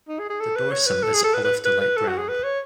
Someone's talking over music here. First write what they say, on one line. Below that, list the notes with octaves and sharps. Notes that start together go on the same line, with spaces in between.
The dorsum is olive to light brown.
D#4
G#4
G#4
A4
B4
C#5
B4
A4
G#4
A4
B4
B4
B4
B4
A4
F#4
G#4
B4
C#5